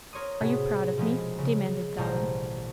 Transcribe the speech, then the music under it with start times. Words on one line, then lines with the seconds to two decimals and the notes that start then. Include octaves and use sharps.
"Are you proud of me?" demanded Dolly.
0.13 A#4 C#5 C6 D#6
0.40 A2 C3 B3 C#4 F#4 G#4
0.97 B2 F3 G#3 A#3 B3
1.38 C#3
1.98 A1 B2 G3 C5 A#5 C#6